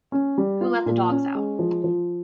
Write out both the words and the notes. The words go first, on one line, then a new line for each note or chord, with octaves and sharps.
Who Let the Dogs Out?
C#4
G3
F4
A#2
C#4
G#3
F3
F3